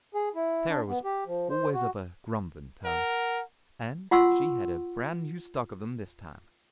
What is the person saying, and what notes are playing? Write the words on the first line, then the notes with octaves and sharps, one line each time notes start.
Sarah was always of a grumbling turn, and she had a brand-new stock of them this time.
G#4
E4
D4
B3
G4
F3
C5
F#4
A#4 F#5
F4 F#5 C6 C#6 E6